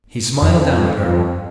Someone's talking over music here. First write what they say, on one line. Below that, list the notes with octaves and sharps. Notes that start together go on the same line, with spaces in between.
He smiled down at her.
F2